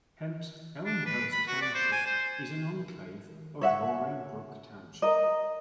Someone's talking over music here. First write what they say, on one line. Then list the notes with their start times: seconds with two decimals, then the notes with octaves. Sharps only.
Hence, Elmhurst Township is an enclave of Roaring Brook Township.
0.85 D4
1.06 B4
1.32 B5
1.47 F#4
1.62 D5
1.75 C5
1.92 G#5
2.06 C5
3.61 C#5 E5 F#5
5.02 A#4 D#5